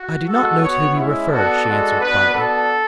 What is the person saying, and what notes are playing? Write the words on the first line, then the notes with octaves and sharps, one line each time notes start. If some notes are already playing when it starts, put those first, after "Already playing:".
"I do not know to whom you refer," she answered quietly.
Already playing: F#4
G#3 B3 F#4 A4
B3 F#4 C#5
G#3 C#4 E4
B3 D4 F#4 A4
G#3 D4 F#4
B3 D4 F#4 B4
B3 D4 F#4 A4